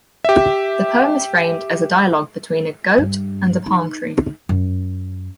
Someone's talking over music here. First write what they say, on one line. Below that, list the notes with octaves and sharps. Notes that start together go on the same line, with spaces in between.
The poem is framed as a dialogue between a goat and a palm tree.
G4 E5
G2
D#4
F#2